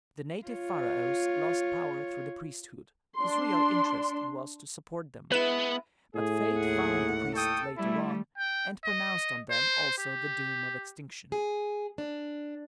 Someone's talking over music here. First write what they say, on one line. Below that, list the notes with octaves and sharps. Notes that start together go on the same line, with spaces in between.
The native pharaohs lost power through the priesthood, whose real interest it was to support them; but fate found the priests later on, and pronounced on them also the doom of extinction.
F4 C#5
D4 C6
G#3 B3 E4 B4 E7
A2 G#4
D#2 F#5
A4 G5 C#6 D#6
G3 A3 E4
G5
D#5
C5
G4
G#4
D4